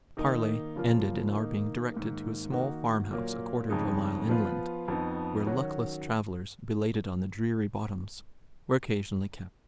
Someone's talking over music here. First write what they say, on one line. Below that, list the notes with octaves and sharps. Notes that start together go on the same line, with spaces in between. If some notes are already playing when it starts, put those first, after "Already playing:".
The parley ended in our being directed to a small farm-house a quarter of a mile inland, where luckless travelers, belated on the dreary bottoms, were occasionally kept.
D#3 A#3 D#4
C#3 F3 A#3 F4
D#3 A#3 D#4
G#2 D#3 A#3
D#3 A#3 D#4 F#4
A#2 F#3 A#3
F2 C#3 G#3 D#4
F3 B3 F4 B4
F2 F3 B3 D#4
D#3 F#3 C#4 F#4